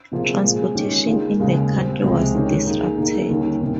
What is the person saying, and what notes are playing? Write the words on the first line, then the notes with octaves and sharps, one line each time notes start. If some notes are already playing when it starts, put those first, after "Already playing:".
Transportation in the country was disrupted.
C3 F3 A#3 F4 G#4
A#2 G#3 C4 F4 G#4
D#3 G#3 C#4 G4
D#3 A#3 F4 G#4
D#2 C#3 G#3
A#2 G3 C4
C#2 C3 F3 G#3
D#3 G#3 C#4 G4
D#3 A#3 D#4 G#4
D#3 A#3 D#4 G#4
D#2 D#3 G3 C#4
C3 D#3 A#3